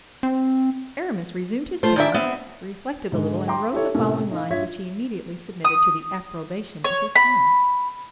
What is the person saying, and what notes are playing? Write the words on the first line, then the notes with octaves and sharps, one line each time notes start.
Aramis resumed his pen, reflected a little, and wrote the following lines, which he immediately submitted to the approbation of his friends.
C4
A3 F4 C5
G#2 D4 D5 E5 G5
B3 C4 E5
G#2 D3 G#3
G5 A#5 C6 D6
E4 G4 A4 C#5
A2 C3 A#3 C#4 E4 A4
D#4 F5
G2 F4 C#5 E5 G#6 B6
D#6
C#5
B5